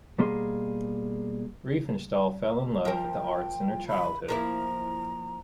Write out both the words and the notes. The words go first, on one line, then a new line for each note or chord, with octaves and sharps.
Riefenstahl fell in love with the arts in her childhood.
B2 G3 A#3 G#4 C6
F3 A#4 G5
B5
F3 A#3 E4 A#5